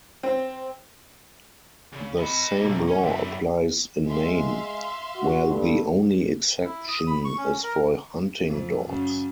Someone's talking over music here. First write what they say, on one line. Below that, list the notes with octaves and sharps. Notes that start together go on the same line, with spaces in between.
The same law applies in Maine, where the only exception is for hunting dogs.
C4
C#3
D#5 B5
B1 A#3
C#4
F#2 E4
G#3 E5 F5 C6
F#4
G2 A4
E4
D#6
B5
C#6
C#4
A#4
F2
F#2 C#3